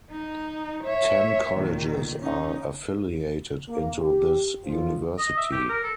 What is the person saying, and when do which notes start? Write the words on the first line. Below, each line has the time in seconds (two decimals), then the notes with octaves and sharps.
Ten colleges are affiliated into this university.
0.11 D#4
0.84 C#5 E5
1.57 A#2 D#3
2.20 C#4 D#4
3.69 A#3
4.00 G4
4.63 F2 F3 F4
5.18 D#5
5.37 E5
5.52 G4
5.69 A#4
5.83 A4